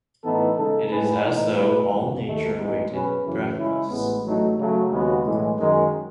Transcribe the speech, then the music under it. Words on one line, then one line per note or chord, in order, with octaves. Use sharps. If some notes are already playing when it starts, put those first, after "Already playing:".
It is as though all Nature waited breathless.
A2 E3 B3 D#4 A4
C#3 G#3 D#4 A4
A2 G#3 D#4 G#4 B4
A2 E3 B3 D#4
B2 A3 E4 B4
G#1 F#2 E3
D#2 D#3 A3 D#4
A1 A2 G#3 B3 D#4
B2 F#3 C#4 G#4 B4
F#2 C#3 E3
C#3 G#3 C#4 E4
A1 A2 G#3 B3
A1 G#2 F#3 A3 D#4
C#3 F#3 A3
D#2 C#3 G#3 B3 F#4
B1 A2 E3 G#3
F#2 D#3 G#3